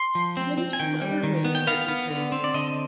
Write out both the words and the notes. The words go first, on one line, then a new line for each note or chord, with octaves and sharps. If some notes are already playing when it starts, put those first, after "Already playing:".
What are some other ways that we can
Already playing: C6
F3
C4
C4
G#5
D#3 G5
G3
D#3
B3
G5
B3 F5
B3
D3
C4
D5
D3 D#5